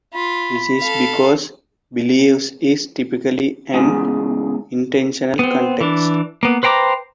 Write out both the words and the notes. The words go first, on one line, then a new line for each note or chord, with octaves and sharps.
This is because 'believes' is typically an intensional context.
F4 B5
A4 F5
E2 G#2 C#3
B3 C4
E3 D4
A#3 B3
B4 C5 G5 A#5 D6